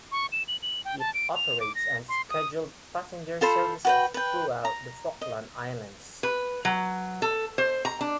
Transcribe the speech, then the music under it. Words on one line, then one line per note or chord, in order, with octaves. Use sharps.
It operates unscheduled passenger services throughout the Falkland Islands.
C#6
E7
F#7
F#7
G5
A5
D7
F7
D6
A#6
C6
D#6
F4 A4 C5 B5
F#4 B4 G5
B4 G5
A#5
D#5
B4
F#3
A4
C5
A#5
D4